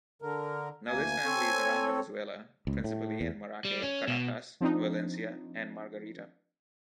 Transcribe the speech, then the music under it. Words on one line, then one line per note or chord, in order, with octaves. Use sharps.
Now this family is around Venezuela, principally in Maracay, Caracas, Valencia and Margarita.
D3 A#4
D2 A#3 G#5
C4 A4 C#5
C#2
A2
E2
G3
C#4
B2
F3 C4 D4 D#4